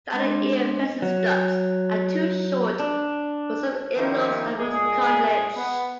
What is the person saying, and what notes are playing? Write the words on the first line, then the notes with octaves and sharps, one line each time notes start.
Standard ear piercing studs are too short for some earlobes and most cartilage.
G#3 C4 D4 D#5 C6
F#3
D4
D#3 F3 D#4 E4 G4
A#2 G#3 G#4
B3